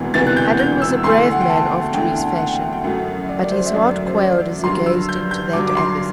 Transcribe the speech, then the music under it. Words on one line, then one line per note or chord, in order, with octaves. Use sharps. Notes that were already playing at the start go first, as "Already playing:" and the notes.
Hadden was a brave man after his fashion, but his heart quailed as he gazed into that abyss.
Already playing: E1 D2 C3 E3 B3
E1 D2 C3 E3 B3 A6
F#6
G6
G6
E6
D2 D3 A3 E4 C6
F#5
G5
A5
D2 D3 A3 E4 G5
F#5
G5
F#2 F#3 A3 F#5
D5
D5
C5
E5
F#2 F#3 A3 D5
C5
D5
G2 D3 F#3 C6
E6
G6
G6
G2 D3 F#3 D6
D6
C6